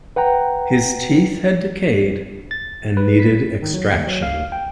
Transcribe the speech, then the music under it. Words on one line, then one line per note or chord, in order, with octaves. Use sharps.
His teeth had decayed and needed extraction.
B4 F#5 G5 A#5
A6
B4
B6
D#3
F#3
D#2
F#3
F5
G5